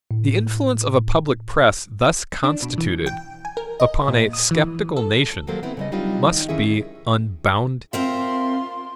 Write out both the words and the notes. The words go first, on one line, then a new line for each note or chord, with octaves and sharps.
The influence of a public press thus constituted, upon a sceptical nation, must be unbounded.
A2
D4
B2
E3
G5
G#5
A#4
D#5
A#2
D#6
E3
A4
D#3 F#3 G3 A#3 A4 C5
B3 C4 E4
C#3 G3 D#5
F#3 G3 C4 D4 D#4 F4
D#3 D#4
F2 D#3 C#4 E4 G#4 E5
C4 F4 A#4 E5 C6